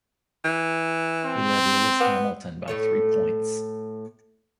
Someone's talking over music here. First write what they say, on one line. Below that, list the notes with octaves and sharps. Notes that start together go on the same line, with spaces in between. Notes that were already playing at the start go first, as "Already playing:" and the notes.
He led Lewis Hamilton by three points.
E3
C4
B3
A2 A3 C#5